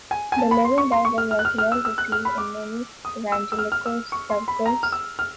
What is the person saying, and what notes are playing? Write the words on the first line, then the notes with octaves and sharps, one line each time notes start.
"The Living Bible" was well received in many Evangelical circles.
G#5
G#5
A5
B5
C6
C#6
C6
C#6
F6
F6
F#6
F6
F6
E6
E6
F#6
F6
B5
D6
D#6
E6
E6
F6
F6
E6
C#6
C6
B5
A#5
F6
E6
F6